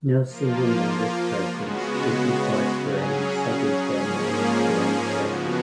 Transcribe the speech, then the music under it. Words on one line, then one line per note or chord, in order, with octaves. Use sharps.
No single member's presence is required for any Second Family jam session.
F3 A#3 F4
C#3 G#3 B3 F#4
C#3 F#3 C#4 G#4
G#2 F3 A#3 C#4 G#4
C#3 F3 G#3 B3 F#4